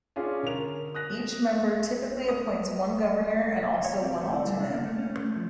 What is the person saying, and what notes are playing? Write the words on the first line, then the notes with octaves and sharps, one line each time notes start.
Each member typically appoints one governor and also one alternate.
C#4 D4 F4 G#4
D3 A#4 F7
D#6 F#6 A#6
D#6
C#5
C4
A3
E4
G3
D4
A#3
A3
C#4
A3
F3